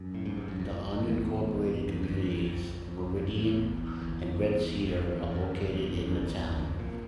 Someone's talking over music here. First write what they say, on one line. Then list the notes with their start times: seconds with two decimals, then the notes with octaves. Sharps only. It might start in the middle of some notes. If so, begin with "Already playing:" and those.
The unincorporated communities of Meridean and Red Cedar are located in the town.
Already playing: F#2
0.15 A2
0.26 G#2
0.37 G2
0.48 F#2
0.60 F2
1.02 E2
1.88 E2
2.03 F2
2.08 E2
2.30 F2
2.38 F#2
2.45 F2
3.16 F2
3.37 E2
4.02 E2
4.87 F2
5.08 E2
5.30 F2
5.40 F#2
5.51 F2
5.63 F2
5.73 E2
6.59 F2
6.79 A#2